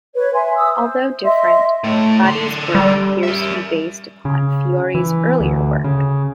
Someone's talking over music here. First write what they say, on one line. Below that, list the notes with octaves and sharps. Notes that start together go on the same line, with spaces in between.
Although different, Vadi's work appears to be based upon Fiore's earlier work.
B4 C#5
E5 G#5 C6
D#6 E6
C5
D#5 E5 C6
A2 A3
D3 C6
G3
A#4 E5
C#3
E3
D2
C#3